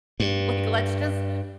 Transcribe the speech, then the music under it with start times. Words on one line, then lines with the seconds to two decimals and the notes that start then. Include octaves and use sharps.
like, let's just
0.20 G2